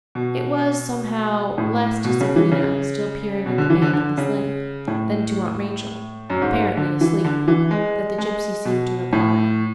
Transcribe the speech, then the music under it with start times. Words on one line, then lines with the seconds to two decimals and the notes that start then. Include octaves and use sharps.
It was, somehow, less to Sabrina, still peering at the babe in the sling, than to Aunt Rachel, apparently asleep, that the gipsy seemed to reply.
0.15 B2
1.58 A2
2.04 B2
2.21 C#3
2.36 E3
2.52 C#3
3.46 B2
3.58 D3
3.70 E3
3.82 D3
3.93 D3
4.18 C#3
4.88 A2
6.30 F#2
6.41 G#2
6.53 G#2
6.77 D3
7.01 E3
7.25 D3
7.48 E3
7.71 G#3
8.18 G#3
8.65 B2
9.13 A2